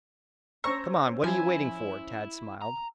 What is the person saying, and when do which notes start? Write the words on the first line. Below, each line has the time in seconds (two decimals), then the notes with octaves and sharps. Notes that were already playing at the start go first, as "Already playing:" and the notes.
"Come on, what are you waiting for?" Tad smiled.
0.64 C#4 C5 A#5 C#6 E6
1.24 F3 E4 G#5
2.62 A#5